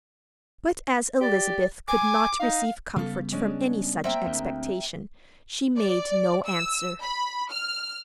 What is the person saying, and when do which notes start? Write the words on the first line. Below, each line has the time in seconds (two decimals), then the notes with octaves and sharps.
But as Elizabeth could not receive comfort from any such expectation, she made no answer.
1.21 G4 D5
1.88 G#5 D6
2.40 D#4 F5
2.96 C#3 G3 B3 A4 F5
3.32 G#3 C#4 D4
4.04 A#3 C4 E5 G5
4.27 D2
5.77 D5
6.45 E6
7.01 B5
7.51 F6